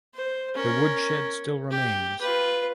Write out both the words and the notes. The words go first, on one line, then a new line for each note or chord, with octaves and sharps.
The woodshed still remains.
C5
C#4 A#4
G4
F4 B4